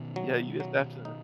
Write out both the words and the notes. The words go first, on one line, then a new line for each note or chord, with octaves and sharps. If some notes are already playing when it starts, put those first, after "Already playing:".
Yeah, you just have to
Already playing: B2 D#3
F#3
F#3
D#4